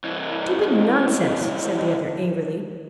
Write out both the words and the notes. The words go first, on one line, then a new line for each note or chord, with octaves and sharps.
"Stupid nonsense!" said the other angrily.
C2 E3